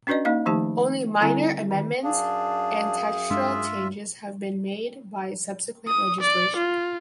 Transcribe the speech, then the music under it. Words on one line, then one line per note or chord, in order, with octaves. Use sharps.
Only minor amendments and textural changes have been made by subsequent legislation.
C#4 D4 F#4 B4 D5 D#5
A#3 D#4 D#5 F5
D#3 F3 A3 D#4 G4 A5
D3 G3 C4 E4 G#5
D#3
F#2 D4 G#4 F5
G2 G#3 D4 F4 E5
D#6
D5
F4